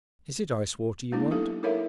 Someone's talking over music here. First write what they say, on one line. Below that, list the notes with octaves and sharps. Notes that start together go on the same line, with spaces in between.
"Is it ice-water you want?"
G#3 A#3 B3 D4 E4
F#3 D#4 G4 A4 F5
E4 A4 A#4 C#5 E5 F5